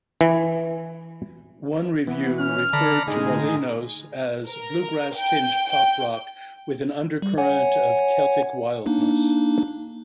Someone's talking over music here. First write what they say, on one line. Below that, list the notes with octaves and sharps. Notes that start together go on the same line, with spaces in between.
One review referred to "Molinos" as "bluegrass-tinged pop-rock" with an "undercurrent of Celtic wildness".
E3
E3 B3
C#4 F6
D3 A4 D5 A#5 B5
A2 D3 G#3 D#4 G#4
A#4
G5
G5
G3
C#5 F#5 G#5
A#3 D4 D#4